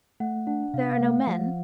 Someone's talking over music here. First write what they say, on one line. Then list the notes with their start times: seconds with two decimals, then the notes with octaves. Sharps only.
"There are no men?"
0.20 A3 F#5
0.47 D4 F#5
0.74 C3 F5
0.82 F#5
0.91 F5
1.01 A3
1.27 F3